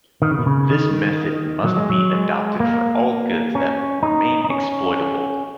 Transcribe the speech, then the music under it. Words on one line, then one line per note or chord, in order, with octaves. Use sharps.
This method must be adopted for all goods that remain exploitable...
D#3
C#3
B2
C#3
D#3
F#3
G#3
F#3
G#3
A#3
C#4
D#4
D#4
C#4